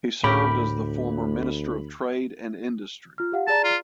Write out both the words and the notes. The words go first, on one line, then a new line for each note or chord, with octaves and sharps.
He served as the former Minister of Trade and Industry.
D2 A2 G4 A#4 B5
F4 F6
G4 F5 F#5
G#4 D5 A5 A#5
F4